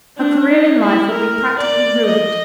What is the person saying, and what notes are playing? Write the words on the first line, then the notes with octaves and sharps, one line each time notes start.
Her career in life would be practically ruined.
D4
D#4
E4
A#4
D5
D#5